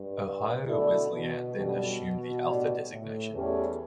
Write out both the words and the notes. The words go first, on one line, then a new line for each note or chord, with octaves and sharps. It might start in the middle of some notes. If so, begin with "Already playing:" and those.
Ohio Wesleyan then assumed the Alpha designation.
Already playing: G2
B2 D3 A3 E4 A4 D5
B2
F#2 B2 D3 G3
A2 G3 D4 G4 D5
A2
E2 A3 C#4 G4 D5